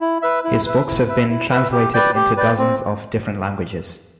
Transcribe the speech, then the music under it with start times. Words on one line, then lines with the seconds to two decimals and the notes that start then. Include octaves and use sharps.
His books have been translated into dozens of different languages.
0.01 E4
0.22 B4 E5
0.44 E4
0.66 B4 E5
0.87 E4
1.08 B4 E5
1.30 E4
1.51 B4 E5
1.72 G4
1.94 B4 D5 G5
2.15 G4
2.37 B4 D5 G5
2.58 C4